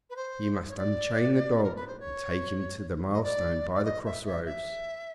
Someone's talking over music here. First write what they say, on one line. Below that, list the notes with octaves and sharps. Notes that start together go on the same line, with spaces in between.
You must unchain the dog and take him to the milestone by the crossroads.
B4
C5
C#5
D5
A#4
B4
C5
C#5
D#5
D5
D5
D#5
E5
E5
E5